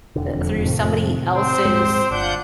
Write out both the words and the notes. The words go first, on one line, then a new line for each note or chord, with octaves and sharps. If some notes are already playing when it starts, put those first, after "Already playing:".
uh, through somebody else's,
E1 F2 D3
A2 C3 D#3
C4 C5
D#1 G#2 G#3
G1 D4 F4 F#5 G6